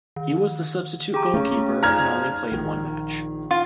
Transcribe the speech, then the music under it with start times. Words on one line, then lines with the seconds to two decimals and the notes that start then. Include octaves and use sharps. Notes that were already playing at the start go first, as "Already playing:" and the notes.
He was the substitute goalkeeper and only played one match.
0.16 D#3
1.14 G4 G#4 A#5
1.34 C#3 A3
1.83 F3 D#4 D5 A#5 F6 G#6
2.51 A#1 D#3
3.51 F4